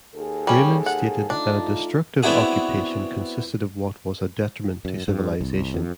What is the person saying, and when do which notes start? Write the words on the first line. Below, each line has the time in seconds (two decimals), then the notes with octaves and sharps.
Raymond stated that a destructive occupation consisted of what was a detriment to civilization.
0.14 D#2 G#4 A4
0.47 G3 C#4
0.86 F#5
1.30 A3 D4 D#4 F4
2.23 B3 C4 D4 E4 F#4 G#4
4.85 F#2
5.08 G2
5.41 C2
5.74 F2